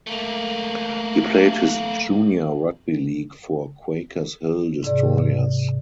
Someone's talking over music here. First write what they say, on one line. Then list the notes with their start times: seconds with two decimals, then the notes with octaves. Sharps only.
He played his junior rugby league for Quakers Hill Destroyers.
0.07 A3 A#3
4.83 G#2 C3 G#4 D5